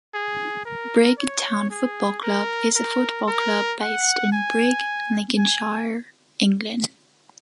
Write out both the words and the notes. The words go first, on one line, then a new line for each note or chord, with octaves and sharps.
Brigg Town Football Club is a football club based in Brigg, Lincolnshire, England.
G#4
A#4
C#5
G#4
A#4
A#4
A#4
F#5
G#5
G#5